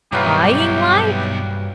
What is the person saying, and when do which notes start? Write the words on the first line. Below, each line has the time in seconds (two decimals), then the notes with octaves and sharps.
Spying like!
0.13 B1 G2 F#3 E4 G4 B4 F5